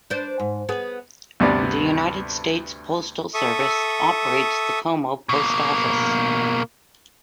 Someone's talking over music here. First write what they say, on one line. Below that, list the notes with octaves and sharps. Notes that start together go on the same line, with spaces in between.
The United States Postal Service operates the Como Post Office.
D4 B4 C5
G#2
B3 G#4
D2 G2 C3 B3 B4 D5
A4 E5 C#6 D#6
B2 A#3